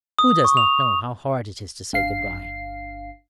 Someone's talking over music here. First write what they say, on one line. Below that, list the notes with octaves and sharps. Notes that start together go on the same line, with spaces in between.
Who does not know how hard it is to say good-bye?
D#6
C#6
F7
G1 F5 C7